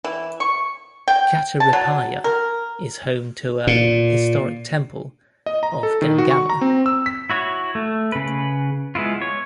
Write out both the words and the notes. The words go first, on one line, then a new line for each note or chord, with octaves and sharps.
Kataripalya is home to a historic temple of Gangamma.
E3
C#6
G5
A5
F#3
A#4
A#2
D#5
A#5
A4
D#3
F#4
C#6
A#5
C4
E6
B6
E4 F#4 C#5
A3
C#3 B4
G#3 B3 E4 F4
C#5